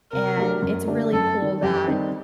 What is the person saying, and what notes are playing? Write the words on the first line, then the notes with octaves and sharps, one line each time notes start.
and it's really cool that
C3 A#4
F#3 A3 D4 G4
F#2
D3 A3 D4 G4
F#2 A4
D#3 G3
F#2 G4
D#3 G3 C4 D#4